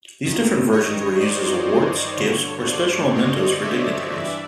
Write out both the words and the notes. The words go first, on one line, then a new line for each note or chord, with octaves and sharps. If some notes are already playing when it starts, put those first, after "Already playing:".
These different versions were used as awards, gifts, or special mementos for dignitaries.
G2 D#3
C#5 D#5
C5 D5
C5
G2 D3 C#5
C5 D5
C#5 D#5
D5 E5
G2 E3 D5 E5